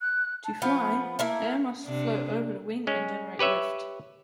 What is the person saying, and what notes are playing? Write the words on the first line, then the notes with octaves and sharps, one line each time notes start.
To fly, air must flow over the wing and generate lift.
F#6
A5
F3 B3 B5
A3 A#3 E4
C3 D4
G#3 C#4
G4 B4 C#5 E5